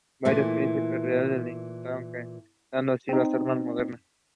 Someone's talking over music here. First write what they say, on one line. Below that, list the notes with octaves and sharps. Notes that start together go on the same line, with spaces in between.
He played for Lahore Lions and Lahore Ravi.
A#2 E3 A3
C4 D#4